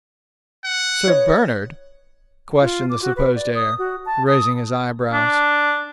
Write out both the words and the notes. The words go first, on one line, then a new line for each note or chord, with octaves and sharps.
"Sir Bernard?" questioned the supposed heir, raising his eyebrows.
F#5
B4 C#5 D#5
F4
D6
F#4
B4
D5
D#6
F#4
A5
D#6
D4